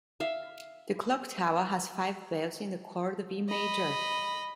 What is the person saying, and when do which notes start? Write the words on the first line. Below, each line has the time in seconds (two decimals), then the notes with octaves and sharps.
The clocktower has five bells in the chord of E major.
0.20 E5 F5
3.49 D#5 B5